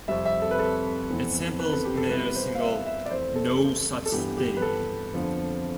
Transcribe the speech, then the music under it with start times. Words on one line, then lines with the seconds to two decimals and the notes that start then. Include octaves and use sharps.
It samples Mayer's single, "No Such Thing".
0.08 F2 C3 G3 E5
0.25 E5
0.42 A4
0.51 B4
0.59 A4
1.10 F2 E3 B3
1.59 B4
1.73 A4
1.85 G4
1.97 A4
2.10 C3 G3 B3 E4 B4
2.35 C5
2.55 F5
2.60 E5
2.86 E5
3.05 D5
3.11 F2 E3 A3 C4 C5
3.36 A4
4.06 A4
4.12 G2 E3 B3 D4 G4
4.37 G4
4.57 B4
4.62 A4
5.13 F2 D3 F3 B3